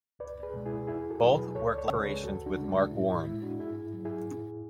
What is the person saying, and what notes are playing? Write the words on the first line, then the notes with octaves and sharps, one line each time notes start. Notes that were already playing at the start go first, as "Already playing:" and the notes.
Both were collaborations with Mark Warren.
C#2 B4 D5
G#4 B4
B2 G#3
E4 G#4
E2 E4 G#4
F#4 A4
B2 F#3
G#4 B4
C#2 A4 C#5
D5
A4 C#5
C#3 G#3
G#4 B4
D2 F#4 A4
D4 F#4
C#3 G#3
D4
A2 E4
E4
G#3 E4
D4 F#4
G#2 E4 G#4
F#3
E4 G#4
A2